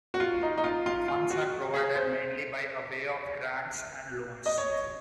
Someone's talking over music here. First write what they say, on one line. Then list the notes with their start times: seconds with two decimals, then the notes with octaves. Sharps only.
Funds are provided mainly by a way of Grants and Loans.
0.14 F#4
0.20 F4
0.43 D#4
0.57 D#4
0.64 F4
0.86 F4
1.08 F4
1.30 F#4
1.74 G#4
1.96 C5
4.46 D#5
4.58 C#5